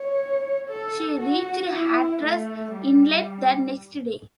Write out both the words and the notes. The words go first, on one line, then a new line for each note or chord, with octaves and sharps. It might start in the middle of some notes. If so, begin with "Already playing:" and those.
She reached Hatteras Inlet the next day.
Already playing: C#5
A4
F#4
E4
A3
G3